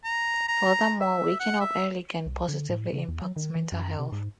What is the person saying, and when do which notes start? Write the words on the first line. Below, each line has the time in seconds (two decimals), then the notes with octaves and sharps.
Furthermore, waking up early can positively impact mental health.
0.04 A#5
0.48 A#5
1.01 E5
1.40 F#5
1.61 E5
2.26 C2
2.48 D3
2.69 A2
2.93 C#3
3.08 E2
3.22 F#3
3.36 D#3
3.55 E3
3.72 F#2
3.99 C3
4.12 G#2